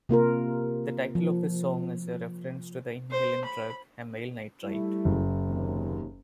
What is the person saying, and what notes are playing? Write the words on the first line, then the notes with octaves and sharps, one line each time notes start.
The title of the song is a reference to the inhalant drug amyl nitrite.
C3 A#3 F4 A#4
F3
C5
B5
G3 A3 E4
F#1
D#2 C3